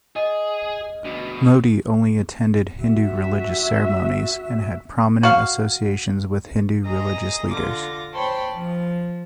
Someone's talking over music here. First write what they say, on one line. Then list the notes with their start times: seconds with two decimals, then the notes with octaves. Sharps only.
Modi only attended Hindu religious ceremonies, and had prominent associations with Hindu religious leaders.
0.16 G#4 D#5
1.05 D2 B2
2.81 F#4 E5
5.23 F#4 F5
6.86 G#4 D#5 A#5 D#6
7.49 D3 F4 D6 A#6
8.13 C5 C#5 G5 A5 B5 C6
8.52 F3